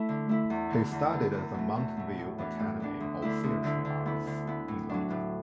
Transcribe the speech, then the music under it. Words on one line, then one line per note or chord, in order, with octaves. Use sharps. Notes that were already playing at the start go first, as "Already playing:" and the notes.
He studied at the Mountview Academy of Theatre Arts in London.
Already playing: A3 E4
D3
A3 E4
E2
D3 B3
E2
D3 B3
E2
B2 A3
E2
B2 A3
A2
E3 B3 D4
A2
E3 B3 D4
D2
D3 A3 E4
D2
D3 A3 E4
D3
B3 E4
D3
B3 E4
A2
F#3 D4
A2